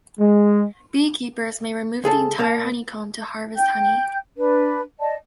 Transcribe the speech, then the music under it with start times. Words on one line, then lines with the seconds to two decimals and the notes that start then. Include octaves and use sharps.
Beekeepers may remove the entire honeycomb to harvest honey.
0.20 G#3
2.04 C#2 G#4 A4 A5
2.38 A#2 A#3 A#4 A5
3.57 G5 G6
4.37 D4 B4
5.00 D5 D#5 A5